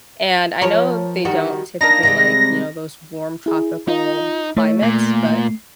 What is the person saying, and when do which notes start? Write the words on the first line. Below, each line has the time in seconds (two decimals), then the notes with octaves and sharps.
and I know they don't typically, like, you know, those warm tropical climates, but
0.61 F3 A#4 C#5
1.25 D#3 G3 F#4
1.81 A#3 D4 D#4 A#6
2.03 C3 G3 G#3
3.46 E4 G#4
3.88 D#4 F4
4.57 A3 E4 C#5
4.83 A#2 C7